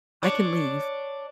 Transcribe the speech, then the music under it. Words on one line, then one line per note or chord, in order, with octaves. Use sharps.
"I can leave."
D4 C#5